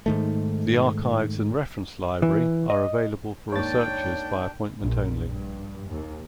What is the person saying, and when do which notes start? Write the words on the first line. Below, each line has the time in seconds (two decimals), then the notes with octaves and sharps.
The archives and reference library are available for researchers by appointment only.
0.06 G#2 D#3 A3
2.22 E3
2.70 D#5
3.52 D#2 G#2 D4 C#5 G5 A6
4.79 A#1
5.26 G2
5.88 D#2